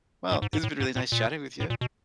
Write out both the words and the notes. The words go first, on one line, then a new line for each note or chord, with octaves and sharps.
Well, it's been really nice chatting with you.
G#2
G#2
G#2
A2
G#2
A#2
A#2
A2
A#2
B2